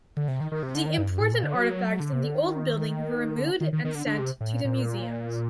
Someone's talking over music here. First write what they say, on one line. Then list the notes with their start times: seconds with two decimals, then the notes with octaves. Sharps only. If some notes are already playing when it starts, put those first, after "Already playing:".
The important artefacts in the old building were removed and sent to the museums.
0.17 D3
0.28 C3
0.41 D#3
0.52 D#3
0.63 C3
0.75 D3
0.86 D#3
0.98 G2
1.09 F#2
1.20 A2
1.32 A#2
1.43 D3
1.55 F#3
2.00 D3
2.12 C3
2.23 D3
2.35 D#3
3.38 D3
3.61 D#3
3.73 D#3
3.85 D#3
3.95 D3
4.06 D3
4.19 C3
4.41 A2
4.53 A#2
4.65 A#2